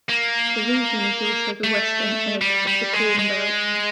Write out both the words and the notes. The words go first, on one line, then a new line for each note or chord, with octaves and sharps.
The region is also the western edge of the Corn Belt.
A#3
A3
G3
G3
G#3
G#3